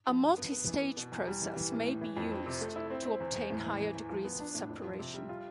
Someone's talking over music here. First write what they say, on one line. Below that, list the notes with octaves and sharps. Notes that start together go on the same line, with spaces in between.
A multistage process may be used to obtain higher degrees of separation.
F3
G2
B3
B3
E3
B3
B2
E2
G3
E3
E3
A2
A2
E3
F2
C4
C3
A3
E4
C4
C4
E2
E2
A2
E3
E3
E2
F3
B3
D4
A2
F2
F3
C3
G3
F4